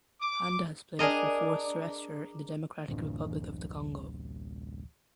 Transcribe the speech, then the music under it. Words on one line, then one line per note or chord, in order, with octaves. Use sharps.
Panda has played for Force Terrestre in the Democratic Republic of the Congo.
D6
D4 G#4 A#4 D#5
D1 A1 D4